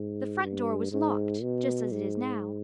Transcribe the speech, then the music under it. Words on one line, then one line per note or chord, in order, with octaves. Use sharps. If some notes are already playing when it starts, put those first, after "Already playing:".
The front door was locked, just as it is now.
Already playing: G#2
G2
G#2
B2
G#2